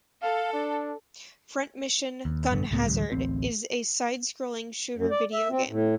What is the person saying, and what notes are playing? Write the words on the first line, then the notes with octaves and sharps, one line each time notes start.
"Front Mission: Gun Hazard" is a side-scrolling shooter video game.
A4 F5
D4
D#2
F1 A#1 G2 D3
C#2 A2 B3
A1 D2 G3
D1 A1 C4
F#2
D5
E5
C4
A2